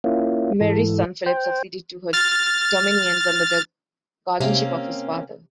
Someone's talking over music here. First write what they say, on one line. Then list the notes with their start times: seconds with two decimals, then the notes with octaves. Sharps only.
Mary's son Philip succeeded to her dominions under the guardianship of his father.
0.04 A#3 C#4 E4 F4
0.61 G#2 E3 A4
1.26 C5 G5
2.13 F6 A6
4.40 C3 A#3 C4 C#4